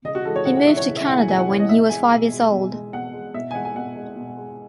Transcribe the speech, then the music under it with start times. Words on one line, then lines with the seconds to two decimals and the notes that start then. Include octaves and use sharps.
He moved to Canada when he was five years old.
0.05 C#3 D#5
0.15 F#4
0.25 E3 G#3 A4
0.36 C#5
0.45 C#3 F#5
0.57 F#5
0.66 E3 G#3 E5
0.77 C#5
0.87 C#3
0.97 E5
1.07 E3 G#3 F#5
1.17 G#5
1.28 C#3 G#5
1.39 F#5
1.49 E3 G#3 C#5
1.59 D#5
1.69 B2 E5
1.89 G#3 G#5
2.11 B2
2.32 G#3
2.52 B2
2.73 G#3
2.93 B2 F#5
3.13 G#3
3.34 B2 E5
3.51 G#5
3.54 G#3 F#5
3.65 G#5
3.75 B2 F#5
3.96 G#3
4.16 B2
4.37 G#3